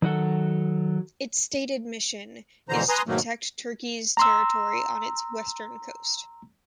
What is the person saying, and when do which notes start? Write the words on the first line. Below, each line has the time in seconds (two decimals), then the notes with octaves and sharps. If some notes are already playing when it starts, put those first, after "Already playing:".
Its stated mission is to protect Turkey's territory on its western coast.
0.02 D#3 F#3 F#4 A4
2.69 F2 B2 D3 E3 C5 A#5
2.89 B4 G#5 A#5 C6 D#6
3.07 G#2 B2 D#3 F#3 A3 A#3
4.17 A#5 C6 E6